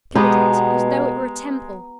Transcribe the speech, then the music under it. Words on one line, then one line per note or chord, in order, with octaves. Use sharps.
Pillared it as though it were a temple.
B2 G#3 B3 G4 D#5 A#5